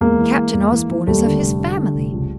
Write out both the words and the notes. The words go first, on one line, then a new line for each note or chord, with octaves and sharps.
Captain Osborn is of his family.
E2 G#3 A#3
E3
E3
E2
E3
E3
D#2 G3 A3
D3
F1
D3
D3
F1
C#2